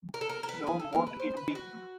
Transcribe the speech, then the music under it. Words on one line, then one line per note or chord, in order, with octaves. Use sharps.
So mote it be.
A#4
A4
A#4
A#4
B4
G#4
A4
A#4
B4
C5
B4
F#4